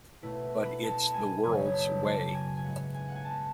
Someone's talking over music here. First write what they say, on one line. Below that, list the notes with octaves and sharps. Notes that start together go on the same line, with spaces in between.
But it’s the world’s way.
B2 A3 E4 B4
B5
A5
G#5
F#2 C#3 F#3 B3 E4 G#5
A5
A5
G#5
G#5
G#2 E3 G#3 B3 F#5
G#5
F#5
G#5
A5